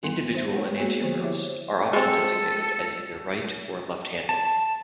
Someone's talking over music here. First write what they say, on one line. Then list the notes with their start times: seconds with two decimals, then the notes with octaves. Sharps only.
Individual enantiomers are often designated as either "right-" or "left-handed".
0.03 G3 B3 C6
0.35 C5 E5
0.53 G#3 A3 D#4 C#5
0.77 A#3 B3 F#4 G#4
1.02 D3 F3 C5
1.21 E4 G4 C5 C#5 E5
1.93 G#3 C4 A4
4.29 A5